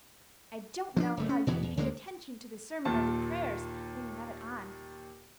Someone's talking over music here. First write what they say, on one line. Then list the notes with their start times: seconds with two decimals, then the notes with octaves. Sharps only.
I don't know how you can pay attention to the sermon or the prayers when you have it on.
0.97 F3 C#4 D4
1.17 F#1 A3
1.29 C#4
1.47 E2 B2 E3 B3
1.63 E2
1.77 D2 D3 G#3 A#3
2.85 D#2 A#2 A5